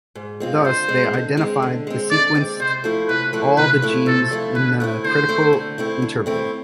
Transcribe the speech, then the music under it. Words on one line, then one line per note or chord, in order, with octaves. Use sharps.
Thus, they identified and sequenced all the genes in the critical interval.
G#2
G#3 C4 F4
D3 C5
G#3 C4
D3
G#3 C4
D3
G#3 C4
D3 D5
G#3 C4
C3 C5
F3 A3 E4
C3 B4
F3 A3 E4
C3 B4
F3 A3 E4
C3 A4
F3 A3 E4
D3 B4
A3 C4 E4
D3 C5
A3 C4 E4
D3
A3 C4 E4
D3
A3 C4 E4